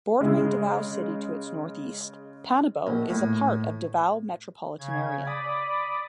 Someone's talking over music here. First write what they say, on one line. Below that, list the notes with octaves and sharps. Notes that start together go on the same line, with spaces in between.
Bordering Davao City to its northeast, Panabo is a part of Davao Metropolitan Area.
C#3 G#3
A#1
A2
C#3 G#6
D5 B5 D6 D#6